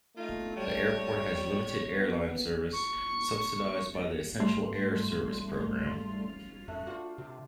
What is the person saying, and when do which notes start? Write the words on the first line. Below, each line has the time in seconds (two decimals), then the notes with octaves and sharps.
The airport has limited airline service, subsidized by the Essential Air Service program.
0.17 A3 D#4 F4
0.57 G3 C#5
1.96 B3
2.73 C#6
4.39 G#2 G3 A3 C6
6.68 F#2 A3
6.87 D4 F4 F#4 C5
7.18 C3